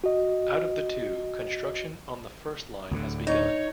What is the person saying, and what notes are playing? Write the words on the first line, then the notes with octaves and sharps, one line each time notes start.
Out of the two, construction on the first line has begun.
F#4 D#5
D2 A2 D3
D#4 C#5